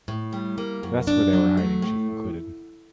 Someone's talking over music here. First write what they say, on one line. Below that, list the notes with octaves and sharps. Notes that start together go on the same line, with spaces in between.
"That's where they were hiding," she concluded.
A2
G3
A#3
F#2
D4
F#3
A3
A2